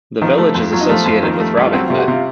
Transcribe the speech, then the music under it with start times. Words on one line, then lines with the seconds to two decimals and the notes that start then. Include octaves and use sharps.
The village is associated with Robin Hood.
0.21 D#3 F3 F4
0.38 A3
0.55 F2
0.72 F#3 F4
0.81 D#4
0.89 F3 A3 F4
1.06 F2
1.23 D#3
1.40 A3
1.57 C2
1.66 F4
1.73 F#3 C4 F#4
1.86 C3 F4 F5
1.99 F#4 F#5
2.08 C3 F4 F5